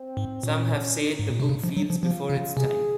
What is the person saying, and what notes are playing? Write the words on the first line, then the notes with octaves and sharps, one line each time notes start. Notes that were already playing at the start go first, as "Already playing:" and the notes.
Some have said the book "feels before its time".
Already playing: C4
G#2
A#2 C#4
D#4
G#2
A#2
C3
C#3
F3
F#3
F3
F3 F4
C#3
C3 G#4